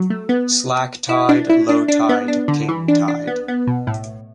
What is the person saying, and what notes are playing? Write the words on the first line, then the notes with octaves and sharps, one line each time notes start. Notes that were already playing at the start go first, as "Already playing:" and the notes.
Slack tide, low tide, king tide.
Already playing: F#3
A3
B3
E4
D4
E4
D4
D4
B3
D4
D3
E3
D4
D4
B3
B3
B2
A2